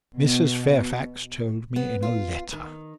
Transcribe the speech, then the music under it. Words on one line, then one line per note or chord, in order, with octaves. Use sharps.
"Mrs. Fairfax told me in a letter."
B2
B3
F4
D#3